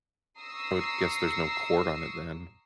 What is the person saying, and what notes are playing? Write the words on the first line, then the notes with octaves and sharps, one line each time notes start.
I would guess there's no cord on it then,
A#5 C#6 D#6 E6 C7